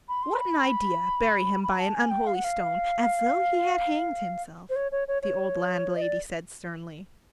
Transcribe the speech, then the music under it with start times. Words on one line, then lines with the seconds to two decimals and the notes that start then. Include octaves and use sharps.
"What an idea, bury him by an unholy stone, as though he had hanged himself!" the old landlady said sternly.
0.09 B5
0.23 C6
0.39 B5
1.63 B5
1.79 A5
1.95 G#5
2.11 G5
2.27 F5
2.35 F#5
2.44 F5
4.70 C5
4.76 C#5
4.92 C#5
5.08 C#5
5.22 C#5
5.96 D#5
6.02 D5